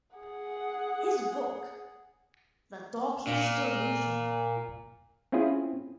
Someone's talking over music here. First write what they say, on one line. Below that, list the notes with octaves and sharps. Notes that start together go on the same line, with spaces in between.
His book: The Dawkins Delusion?
G#4 F#5
A#2
C4 C#4 E4 F4 G#4